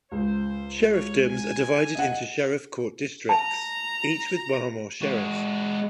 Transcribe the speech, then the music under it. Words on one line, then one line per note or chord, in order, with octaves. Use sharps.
Sheriffdoms are divided into Sheriff Court Districts, each with one or more sheriff.
C#2 C5
C#5
G#5
D#5 F#5
A5 A#5
G#3 F#4